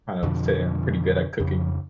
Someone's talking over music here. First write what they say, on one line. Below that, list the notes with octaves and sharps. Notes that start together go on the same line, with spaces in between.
kind of say I'm pretty good at cooking,
F2 B2 D3 F3
F2 C#3